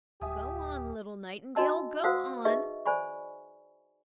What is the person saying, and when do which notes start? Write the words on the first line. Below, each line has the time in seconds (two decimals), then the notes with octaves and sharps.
"Go on, little Nightingale, go on!"
0.22 D1 G4 E5 G#5 D#6
1.55 D4 F#4 D#5 A5 E6
2.04 F#4 C5 F5 F#5 D#6 E6
2.45 D#4 G#4 B4 D#5 E5 C#6
2.86 C5 D5 G#5 B5 C#6